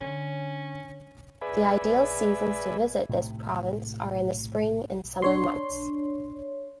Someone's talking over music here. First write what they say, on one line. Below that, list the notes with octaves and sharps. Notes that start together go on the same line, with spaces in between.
The ideal seasons to visit this province are in the spring and summer months.
D3 C#4
G#4 B4 D5 E5 G#5 B5
A2 C3 D#3
D4 C#5 C6